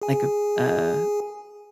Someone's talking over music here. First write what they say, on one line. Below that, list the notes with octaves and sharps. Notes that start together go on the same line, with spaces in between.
like a, uh,
G#4 G#5